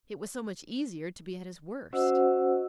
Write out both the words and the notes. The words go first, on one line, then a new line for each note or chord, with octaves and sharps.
It was so much easier to be at his worst.
C#4 F#4 C5 D#5 F#5 E6